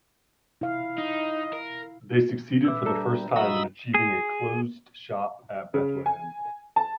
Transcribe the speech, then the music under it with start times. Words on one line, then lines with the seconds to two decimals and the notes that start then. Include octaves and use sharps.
They succeeded for the first time in achieving a closed shop at Bethlehem.
0.61 E4 F5
0.98 D#4 D#5
1.53 A#4
2.65 A#2 B4 E5 D6 E6
2.86 G3 D4 A4 A#5
3.36 F#3 F#4 D#5 F5 A#5 B5 D#6 E6
3.94 G#4
5.74 C#3
6.06 G#5
6.76 A5